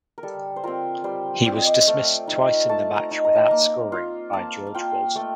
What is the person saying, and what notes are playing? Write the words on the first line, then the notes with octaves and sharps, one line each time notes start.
He was dismissed twice in the match without scoring by George Walton.
A#4
G3 A4
C5
C4 F4 A#4
G3 C5
C4 F4 D5
D#5
D5
A3 F5
D#4
A3 A5
A#5
D#4
A#5
A5
A#3 A#5
F4
A#3 A5
F5
F4 G5
A3 G5